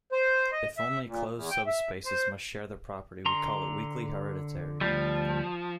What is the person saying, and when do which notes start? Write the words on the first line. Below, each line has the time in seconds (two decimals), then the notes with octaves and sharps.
If only closed subspaces must share the property we call it weakly hereditary.
0.12 C5
0.52 D#5
0.78 E5
1.07 A#2
1.34 E2
1.50 G5
1.67 E5
2.05 C5
3.26 D3 A#5 C6
4.81 D2 F3 G3